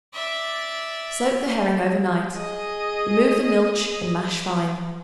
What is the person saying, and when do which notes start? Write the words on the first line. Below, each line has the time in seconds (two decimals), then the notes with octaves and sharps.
Soak the herring over night; remove the milch and mash fine.
0.14 D5 E5
2.34 G#4 D#5